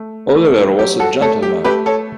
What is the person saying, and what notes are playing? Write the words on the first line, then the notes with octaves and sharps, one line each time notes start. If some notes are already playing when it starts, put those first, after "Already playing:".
Oliver was a gentleman.
Already playing: A3
A3
F#3 G4
F#4 A4
A3 A4 C#5
G4
A3 G4 B4
A4 C#5